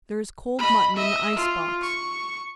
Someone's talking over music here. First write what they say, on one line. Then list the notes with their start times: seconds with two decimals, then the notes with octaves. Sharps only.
There is cold mutton in the ice box.
0.58 D#5 B5
0.96 D#5 E5
1.35 F4
1.82 C#6